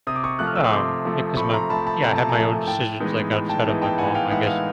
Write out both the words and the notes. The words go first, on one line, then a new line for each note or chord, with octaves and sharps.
j um, because my m Yeah, I had my own decisions, like, outside of my mom, I guess.
C3 D#6
D6
C#6 D#6
F3 A3 F#6
F6
E6
D#6
C3 C6 D6
F3 A3
C3 B5 C#6
A#5 C6
F3 A3 A5 B5
A5 B5
C3 A#5
A5
G#5 A#5
F3 A3
A2 G5 A5
E3 G#3 B3 D#4
A2
G5 A5
E3 G#3 B3 D#4
G5 A5
A2 F#5 G#5
F5 G5
E3 G#3 B3 D#4 E5 F#5
F5